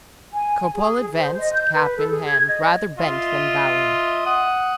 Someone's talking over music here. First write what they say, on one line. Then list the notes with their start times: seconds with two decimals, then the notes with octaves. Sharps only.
Cropole advanced, cap in hand, rather bent than bowing.
0.32 G#5
0.74 G#4
1.16 C5
1.38 D#5
1.53 G6
1.73 B4
1.97 A4
2.10 G#4
2.27 G#6
2.47 D#5
2.99 F4 D#5 E5
4.26 F#5 D#6